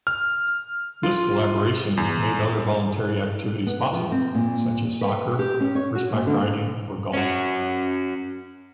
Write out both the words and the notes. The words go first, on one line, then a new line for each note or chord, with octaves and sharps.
This collaboration made other voluntary activities possible, such as soccer, horseback riding or golf.
F6
F4
E2
B3
F3
C4
A#2
B4
G4
C#4
C#5
F#4
A#2
D3
C#4 F#4